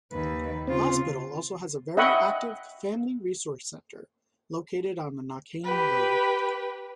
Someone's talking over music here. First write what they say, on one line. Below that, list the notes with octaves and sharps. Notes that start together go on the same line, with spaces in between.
Hospital also has a very active Family Resource Centre located on the Knockainey Road.
D#2 B4
C#3 C4 F4
D#5 E5 F#5 G5 B5 C#6
G4 B4